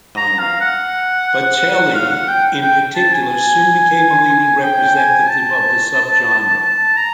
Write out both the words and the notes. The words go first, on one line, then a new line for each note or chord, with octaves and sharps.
Bocelli, in particular, soon became a leading representative of the subgenre.
A#5
F5
F#5
F5
F#5
G5
G5
A5
G#5
G5
G#5
A5
A5
A#5